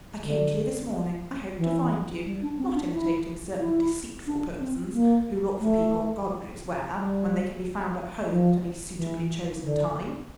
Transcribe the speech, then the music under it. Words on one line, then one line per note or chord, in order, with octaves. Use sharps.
I came to you this morning, I hoped to find you, not imitating certain deceitful persons who look for people, God knows where, when they can be found at home at any suitably chosen time.
D3
E3
G3
D4
C4
D4
E4
E4
D4
C4
A#3
A3
G3
F3
E3
D3